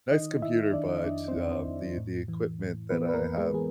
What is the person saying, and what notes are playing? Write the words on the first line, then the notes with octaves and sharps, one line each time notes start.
nice computer but, um, the the equipment that I have
D#3 D#4 D#5
D#3 E4 E5
D#3 D4 D5
D#5
F2 D4 D5
C4 C5
F2
C4 C5
F2
A2
E3
A2
E3 B3 B4
B4
A#3 A#4
E3
G#3 G#4
E3 G#4